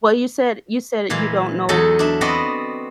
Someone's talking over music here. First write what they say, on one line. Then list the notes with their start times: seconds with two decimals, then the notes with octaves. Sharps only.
Well, you said you said you don't know
1.10 A#2 E3 G#3 F5
1.69 E2 F#3 G#3 D#4 A4
1.99 D4 E5
2.21 B3 C4 F#4 B4 D5 D#5